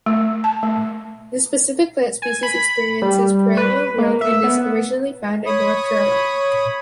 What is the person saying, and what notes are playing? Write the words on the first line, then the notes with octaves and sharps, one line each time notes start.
This specific plant species experiences perennial growth and is originally found in North Carolina.
A3
A5
A3
G#5
B5
G3
B4
A#3
E5
B3
C#5 B5 D#6